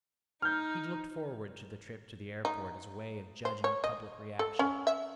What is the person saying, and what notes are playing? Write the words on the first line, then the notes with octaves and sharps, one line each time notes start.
He'd looked forward to the trip to the airport as a way of judging public reaction.
D#4 F6 G6
D#4
C5
C#5
D#5
A4
C#4
E5